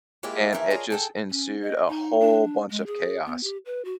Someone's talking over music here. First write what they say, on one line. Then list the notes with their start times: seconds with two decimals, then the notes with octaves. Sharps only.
and it just ensued a whole bunch of chaos.
0.23 G#3 A#3 E4 F4 G4 G#4
0.53 D#2 A#2 E3 F3 A#4 E5
0.70 D4 F4 G#4 A#4 C#5 D#5
0.90 G#4 A4 G5
1.31 C#4
1.62 D#5
1.89 D#4
2.20 D4
2.70 G#3
2.87 G#4
3.26 B3
3.44 G4
3.66 B4
3.85 F#4